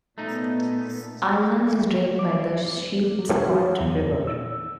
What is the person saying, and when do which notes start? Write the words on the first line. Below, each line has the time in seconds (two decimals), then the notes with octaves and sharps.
Alna is drained by the Sheepscot River.
0.18 A#2 A3 B3 D#4
2.19 D6
3.19 F#3
3.48 F#3
3.81 E2
4.09 A#2
4.27 E6